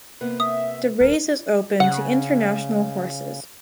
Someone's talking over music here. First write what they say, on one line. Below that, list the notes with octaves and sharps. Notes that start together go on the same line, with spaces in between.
The race is open to international horses.
C3 A#3 B3 B4
E5 D#6
D#1 A#4
C#3 F#5